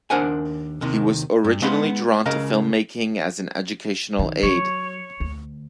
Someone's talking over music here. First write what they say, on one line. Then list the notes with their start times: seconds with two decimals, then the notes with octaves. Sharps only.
He was originally drawn to film making as an educational aid.
0.10 D#2 D4 A#4 C5 F#5 G#5
0.81 D#2 C3 D#3
1.44 G2
1.62 G#3 B3 D#4 F5 B5 C6
2.26 C#2 C#3 A#4 D#5 F5 A#5
4.19 D#3
4.43 F#3 C#5
5.20 D2